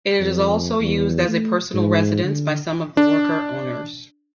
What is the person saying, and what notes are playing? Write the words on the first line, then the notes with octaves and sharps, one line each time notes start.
It is also used as a personal residence by some of the worker-owners.
F2
E2
A3
G#2
D3
D4